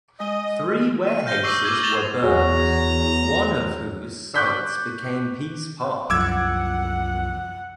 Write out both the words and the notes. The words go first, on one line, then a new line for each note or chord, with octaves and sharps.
Three warehouses were burned, one of whose sites became Peace Park.
G#3 D#5
D#7
F6 G6 A#6 G7
C#6 D6 E6 A#6 C7 G7
D6 E6 F6 G#6 C7
A6 A#6 E7 F7 G7
E2 F#4 G#4 C#5 A#5
C#6 D6 F#6 G6 B6
C2 F#2 F3 F#5 D6 E6 G#6